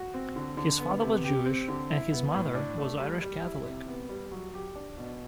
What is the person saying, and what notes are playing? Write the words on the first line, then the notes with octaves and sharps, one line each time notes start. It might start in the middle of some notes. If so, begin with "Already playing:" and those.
His father was Jewish and his mother was Irish Catholic.
Already playing: F#4
C4
D3
D3
B3
C3
G4
C4
D3
E4
B3
A2
D4
A3
G3
G3
E4
C3
B3
G3
F#3
G4
D4
B2